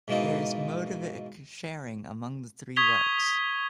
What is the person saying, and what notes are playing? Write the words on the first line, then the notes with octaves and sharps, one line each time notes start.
There is motivic sharing among the three works.
G#2 B2 E3 A#3 D#4 F4
C#6 D#6 G#6 B6 F7 G7